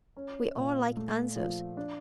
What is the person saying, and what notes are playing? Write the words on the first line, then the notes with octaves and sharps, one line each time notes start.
We all like answers.
C#4
A#2
A3
F3
D4